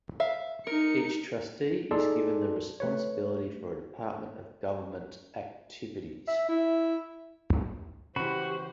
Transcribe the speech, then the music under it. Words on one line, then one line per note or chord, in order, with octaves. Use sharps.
Each trustee is given the responsibility for a department of government activities.
E5 F5
D#4 A#4 C#7
D#4 G#4 A4 D5 A5 C6
A3 B4 C#5
E5
E4
C#3 E3 F#4 G4 C5 B5